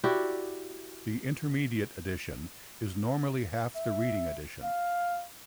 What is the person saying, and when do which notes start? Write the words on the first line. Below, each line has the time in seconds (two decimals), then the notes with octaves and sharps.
The intermediate addition is normally half the reading addition.
0.04 E4 F#4 G4 D5
3.76 E5
4.63 F5